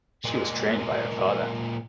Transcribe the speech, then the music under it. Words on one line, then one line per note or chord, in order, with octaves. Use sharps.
She was trained by her father.
A#2 G#3